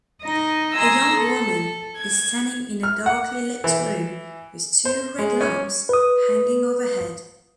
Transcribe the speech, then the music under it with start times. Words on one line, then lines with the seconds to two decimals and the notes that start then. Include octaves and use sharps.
A young woman is standing in a darklylit room with two red lamps hanging overhead.
0.22 D#4 D#5
0.74 G#5 A#5 C6 D#6 E6
1.13 A4
1.97 G#6
2.83 F6
3.06 F#5
3.64 E3
4.85 C5
5.18 G#3
5.41 C#4
5.89 B4 D#6